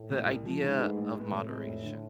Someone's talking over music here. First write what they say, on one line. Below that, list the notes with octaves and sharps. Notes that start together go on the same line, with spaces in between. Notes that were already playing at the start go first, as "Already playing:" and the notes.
the idea of moderation.
Already playing: A2
D2 C3
C2
C3 F3
G#2 D3
A3 D4 G#4 B4
A1
A2 G#3 B3
A2 C3
G#3 C4
F1
D3